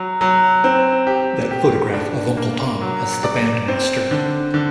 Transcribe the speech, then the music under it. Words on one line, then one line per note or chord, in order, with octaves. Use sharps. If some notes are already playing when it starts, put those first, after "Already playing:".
That photograph of Uncle Tom as the bandmaster.
Already playing: F#3
F#3
C4
G4
G4
D4
A#3
F#3
D5
C4
D3
D3